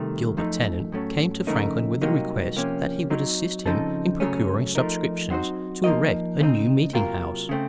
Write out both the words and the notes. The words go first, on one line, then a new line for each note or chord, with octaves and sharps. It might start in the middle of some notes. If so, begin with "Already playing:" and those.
Gilbert Tennent, came to Franklin with a request that he would assist him in procuring subscriptions to erect a new meeting-house.
Already playing: C2 C3 D#3 A3
F#2 F3 A3 D#4
A2 F#3 A3 C#4
F2 C#3 A3 D#4 A#4
C2 C3 F#3 A#3 D#4
C3 F3 A#3 C#4
F#3 C4 D#4
C#3 F3 C4 D#4 A4
F#2 C#3 F#3 A3 C#4
F3 A3 D#4 A#4
F#3 C4 D#4 F#4 C5
F3 A#3 D#4 A#4 D#5
C#2 C#3 A3 C4 D#4
C3 F#3 A#3 F4 A#4
C#3 A3 C4